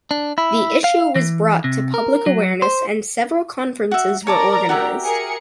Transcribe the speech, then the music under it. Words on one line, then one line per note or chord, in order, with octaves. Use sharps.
The issue was brought to public awareness and several conferences were organized.
D4
E4
F5
E3
C3
A#4
F#3
C5
F#4 E5
A#4 C#5 D5 A5 A#5 D6
F#4 G4 E5
G#4 A#4 C#7